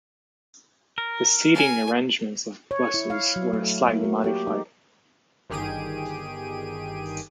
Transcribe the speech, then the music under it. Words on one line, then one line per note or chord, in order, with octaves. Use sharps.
The seating arrangement of buses were slightly modified.
A#4
G#5
C#5
E4
F5
F#3
A3
A#3
F#4
G4
D#4
G1 D#3 G4 G#4 D7 D#7